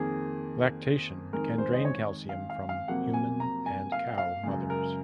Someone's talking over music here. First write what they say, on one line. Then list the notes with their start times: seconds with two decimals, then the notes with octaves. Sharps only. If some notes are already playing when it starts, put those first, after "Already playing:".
Lactation can drain calcium from human and cow mothers.
Already playing: F2 D#3 A#3 G#4
1.33 F2 D#3 G#3 A#4
1.58 C5
1.73 D#5
1.85 C#5
2.29 F5
2.50 F5
2.69 F5
2.88 F2 C3 F#3 A#3 F#5
3.14 G#5
3.40 A#5
3.66 G#5
3.92 F5
4.18 F5
4.43 F#2 C#3 G#3
4.70 A#4